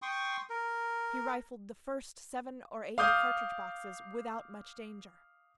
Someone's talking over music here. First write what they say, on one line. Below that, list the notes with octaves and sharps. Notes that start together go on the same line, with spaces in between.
He rifled the first seven or eight cartridge-boxes without much danger.
G5 C6 C#6 D#6
A#4
F5 D6 D#6 F6 G6